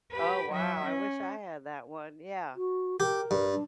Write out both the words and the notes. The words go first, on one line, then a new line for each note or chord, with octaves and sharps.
Oh wow, I wish I had that one, yeah.
G4 B4
F#3 E5
C#4
F#4
G4 A#4
G2
D4